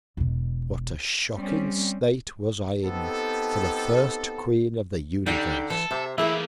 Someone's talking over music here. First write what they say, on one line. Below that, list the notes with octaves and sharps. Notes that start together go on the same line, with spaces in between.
What a shocking State was I in for the first Queen of the Universe!
E1 B2
G3 C4 C#4
B3 C4 D#4 G4 A4
D3 G3 D#4 D5 G5
E3 A4
C3 E5
E3 A3 A#3 E4 G#4 E5